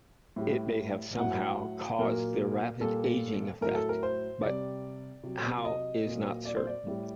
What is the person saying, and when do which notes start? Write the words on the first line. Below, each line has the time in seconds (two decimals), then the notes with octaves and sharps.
It may have somehow caused the rapid aging effect, but how is not certain.
0.36 A2 G3
1.18 A2 F#3 F#5
1.99 A#2 F#3 A#4
2.80 A#2 G3 A4
3.61 A2 F#3 A#4
3.75 A4
3.89 A#4
4.03 C5
4.43 C3 G3 D5
5.24 C3 F#3
5.65 D#5
6.06 A#2 F#3
6.45 D5
6.56 C5
6.67 D5
6.87 A2 G3